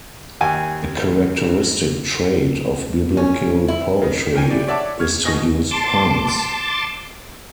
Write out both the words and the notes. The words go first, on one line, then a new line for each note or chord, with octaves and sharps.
A characteristic trait of biblical poetry is to use puns.
D#2 G5 G#5
C#4
E4
C#3 D#5
D#2 A#4 G5 G#5
E4 G4 D5
C#5 D5 E5 F#5 A5 D6
C#6 F6 G#6
B2 D#5 G#5 C#6 A#6
A5 C6 D6